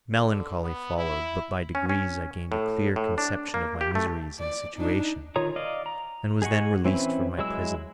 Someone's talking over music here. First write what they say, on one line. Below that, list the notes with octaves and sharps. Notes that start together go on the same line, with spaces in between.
Melancholy followed, but by degrees I gained a clear conception of my miseries and situation and was then released from my prison.
D3
B3
E4
C#4
C#4
A2
A2
D4
A#3
G4
A3
D5
D4 D#4
D#3 F4 C#5 A#5 D#6
D5 D#5 F5
A#5
G#4 D#5 F#5 C#6
E3 C4 C#4 E4 B4
F#3 G#3 E4 E6